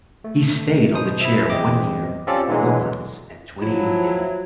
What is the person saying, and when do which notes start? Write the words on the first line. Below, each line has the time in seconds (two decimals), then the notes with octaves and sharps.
He stayed on the Chair one year, four months and twenty-eight days.
0.24 A3
0.94 B2 C5 D#6
1.21 E4 E5
1.50 E2 C4 D#5 D6
2.27 C4 C#4 F4 G4 A4 D5
2.48 B2 D3 E3 F#3 G#3
3.62 F3 F#3 E4